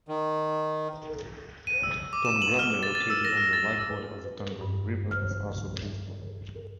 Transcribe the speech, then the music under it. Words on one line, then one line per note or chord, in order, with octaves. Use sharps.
Tonnegrande, located on the right border of the Tonnegrande River is also peaceful.
D#3
D#7
E6
D6
E7
F#7
F6
A6
A6
E6
A#6
F6
A6
G2
F6